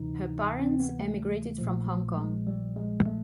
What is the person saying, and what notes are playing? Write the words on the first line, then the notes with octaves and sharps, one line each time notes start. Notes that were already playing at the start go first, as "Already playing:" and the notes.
Her parents emigrated from Hong Kong.
Already playing: D2 C3 E3 D#4
C4
B3
A3
A#1 A#2 F3
G#3
G3
G#3
A3